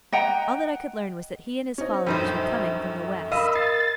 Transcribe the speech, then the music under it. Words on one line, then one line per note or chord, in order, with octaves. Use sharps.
All that I could learn was that he and his followers were coming from the West.
D#5 F#5 G5 A#5
C#4 D#4 C5
A#1 F#2 G3 D#4 A4 C5
A#4 D#5 F5 B5 E6
A6 C7